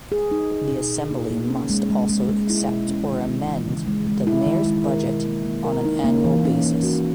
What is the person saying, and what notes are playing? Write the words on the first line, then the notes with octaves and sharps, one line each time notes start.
The assembly must also accept or amend the Mayor's budget on an annual basis.
G#4
D#4
G#4
B2
B2
A#3
A#3
C#4
G#3
G#3
G#3
G#3
E4
B2
C#4
D#3
D#3
E3
C#3
G#3
G#3
E4
D#3
G#3
A#4
B2
A#3
A#3
A#4
D#4
A#3
E3
C#4
A#3
F#4